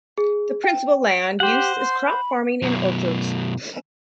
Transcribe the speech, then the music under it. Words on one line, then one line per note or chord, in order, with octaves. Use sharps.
The principal land use is crop farming and orchards.
G#4
G5
D7
G4 C5 F#5
C6
B5
F#2 B2